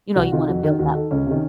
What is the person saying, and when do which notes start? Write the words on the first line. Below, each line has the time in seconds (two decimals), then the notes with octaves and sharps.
you know, you wanna build that bond.
0.16 C2 F#4
0.32 C3 D#3 F4
0.48 F2 F#4
0.63 D#3
0.79 D#2 F#4
0.95 D#3 A4
1.11 C#2 C#4
1.27 C3 D#3